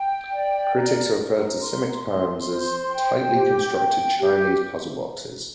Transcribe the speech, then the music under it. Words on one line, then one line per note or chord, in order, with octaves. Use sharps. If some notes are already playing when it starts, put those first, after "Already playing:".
Critics have referred to Simic's poems as "tightly constructed Chinese puzzle boxes".
Already playing: G5
D5
A#4
A#4
C6
C6
C5
G5
G4
G5
G4